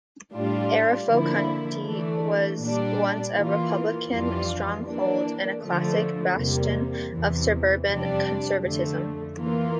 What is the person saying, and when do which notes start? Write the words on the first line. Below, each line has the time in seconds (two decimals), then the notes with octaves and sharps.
Arapahoe County was once a Republican stronghold, and a classic bastion of suburban conservatism.
0.33 A2 G3 D4 F4
1.09 D3 F3 A#3 E4
1.85 E3 A3 D4
2.59 A#2 G3 D4
3.35 E3 A#3 F4
4.10 F2 E3 G3 D4 F4
4.86 E3 A#3 D4
5.62 D3 F3 A3
6.36 E2 C3 G3 A#3
7.12 E2 C3 E3
7.87 F2 C3 G3 D4
8.62 F2 D3 A3
9.37 E3 A#3 F4